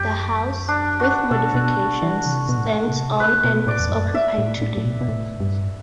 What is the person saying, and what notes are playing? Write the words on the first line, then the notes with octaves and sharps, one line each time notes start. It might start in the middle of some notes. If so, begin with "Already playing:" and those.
The house, with modifications, stands on and is occupied today.
Already playing: F#2 G4
D4
F#4
B2 A4
B2
E3
C3
B2
A2
C3
B4
B2
A2 D5
E2
F#2
E5
A2
A2
A2
B2
B2
A2
G2